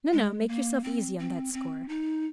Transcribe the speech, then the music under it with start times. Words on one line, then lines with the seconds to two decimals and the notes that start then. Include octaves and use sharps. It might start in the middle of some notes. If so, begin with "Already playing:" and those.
"No, no, make yourself easy on that score."
0.13 G#3
0.48 A#3
0.84 C4
1.19 C4
1.53 C4
1.89 D#4